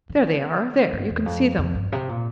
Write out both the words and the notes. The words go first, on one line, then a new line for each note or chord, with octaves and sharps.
"There they are, there... you can see them."
D3
G2
E2
F2
F2
G2
C3
A#2